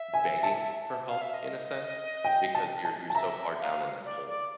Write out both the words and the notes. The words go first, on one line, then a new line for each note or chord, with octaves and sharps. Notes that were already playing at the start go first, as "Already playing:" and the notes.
begging for help, in a sense." Because you're you're so far down in that hole.
Already playing: E5
G#5
A5
F5
E5
D#5
G5
A5
A5
A5
E5 A#5
F5
D5
D5